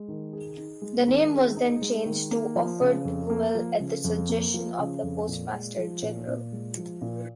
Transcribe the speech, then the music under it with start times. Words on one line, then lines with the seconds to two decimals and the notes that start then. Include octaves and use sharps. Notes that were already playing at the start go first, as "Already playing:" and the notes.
The name was then changed to Orfordville at the suggestion of the postmaster general.
Already playing: G#3
0.08 D#3
0.33 G#4
0.57 D#4
0.82 G#3
1.07 D#3
1.32 G#4
1.57 D#4
1.82 G#3
2.06 D#3
2.31 A#3
2.56 F3
2.80 C#3
3.05 F2
3.30 A#3
3.55 F3
3.80 C#3
4.04 F2
4.29 A#3
4.54 F3
4.79 C#3
5.03 F2
5.28 A#2
5.53 G#3
5.78 F3
6.02 A#2
6.27 A#2
6.53 G#3
6.77 F3
7.01 A#2